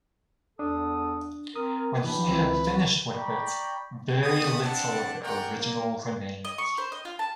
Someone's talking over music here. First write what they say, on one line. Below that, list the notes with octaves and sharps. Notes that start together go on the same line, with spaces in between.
When he had finished with it, very little of the original remained.
E2 D4 A4 D#6
C4 A#4 D#6
E3 F#3 D4 G4 B4
C#2 E3 C4
D5 G5 A#5 B5 C#6
B3 G4 D#6
C4 D4 B4 F#5 A5
B3 C#4 A#4 D5 F#5 G5
A#3
D#5
C#6
C5
D#5
F4
A5